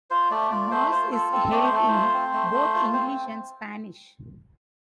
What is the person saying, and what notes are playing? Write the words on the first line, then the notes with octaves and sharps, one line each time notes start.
Mass is held in both English and Spanish.
F4 C5
A3 D5
F4 D5
A3 C5
F4 C5
F4 A4
C4 A4
A3 D5
C5
A3 A4
F4 C5
C4
A3
A3
F4
C4 C5